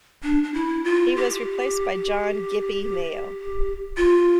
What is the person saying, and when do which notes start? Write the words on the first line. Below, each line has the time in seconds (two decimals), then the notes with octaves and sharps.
He was replaced by John 'Gypie' Mayo.
0.23 D4
0.43 D4
0.54 E4
0.84 F4
1.16 G4
3.97 F4